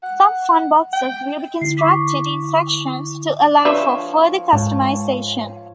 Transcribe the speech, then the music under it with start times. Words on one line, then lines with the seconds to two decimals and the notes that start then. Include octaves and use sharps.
Some funboxes will be constructed in sections to allow for further customization.
0.03 F#5
0.93 G5
1.61 D3 E4 C7
1.77 C#6 D6 B6
3.65 F3 D4 B4 C#5 E5
4.53 G#2 C#5 A5